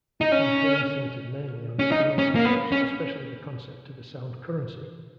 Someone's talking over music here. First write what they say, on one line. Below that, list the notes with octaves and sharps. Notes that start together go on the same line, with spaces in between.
The campaign centered mainly on economic issues, especially the concept of a sound currency.
D#4
C#4
C#4
D#4
C#4
A#3
B3
C#4